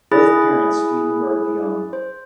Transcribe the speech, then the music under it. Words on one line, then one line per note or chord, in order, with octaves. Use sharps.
Both parents feed and guard the young.
E4 G#4 B5 F#6 A6
C5